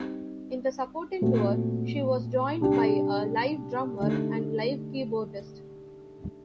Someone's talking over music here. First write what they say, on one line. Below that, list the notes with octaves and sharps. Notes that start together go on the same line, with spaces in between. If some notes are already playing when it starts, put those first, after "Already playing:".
In the supporting tour she was joined by a live drummer and live keyboardist.
Already playing: G3 C4 D#4
A#2 A3 C4 F#4
C3 G3 D4 G4
D3 A3 D#4 G4